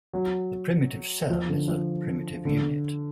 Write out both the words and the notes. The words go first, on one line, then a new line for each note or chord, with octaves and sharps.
The primitive cell is a "primitive unit".
F#3
F3
D3
F3
D3